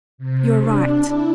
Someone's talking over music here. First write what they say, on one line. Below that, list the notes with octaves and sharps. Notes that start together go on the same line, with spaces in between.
You're right!
C3
D4
E4